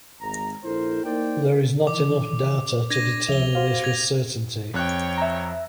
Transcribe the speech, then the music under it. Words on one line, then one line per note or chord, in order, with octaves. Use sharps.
There is not enough data to determine this with certainty.
G#1 A#5
A#1 E4 A4 A#4 C5
A#3 D#4 A#4 C5 D5 G5
D#3 E3 D6
D4 G#6 A#6 D#7
C#2 F3 E5 F7 G7
F#4 C5 F5
G#6 A#6 F7
F2 C#5 G5 F#6
E5 A#5